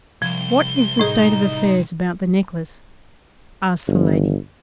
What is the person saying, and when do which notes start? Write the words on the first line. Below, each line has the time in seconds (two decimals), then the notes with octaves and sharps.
"What is the state of affairs about the necklace," asked the lady.
0.22 C2 F3 G7
0.99 A2 D#4 G#4
3.87 G1